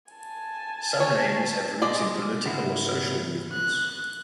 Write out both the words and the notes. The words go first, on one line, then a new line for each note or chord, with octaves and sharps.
Some names have roots in political or social movements.
G#5 A5
C#5
G#3 D5 D#5
C#2 G#2 E4 F#4
F#6